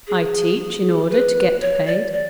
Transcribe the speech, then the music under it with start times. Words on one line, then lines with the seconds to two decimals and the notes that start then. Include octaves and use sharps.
'I teach in order to get paid.'
0.08 G#4
1.10 B4
1.61 C#5
1.87 D5
2.13 D5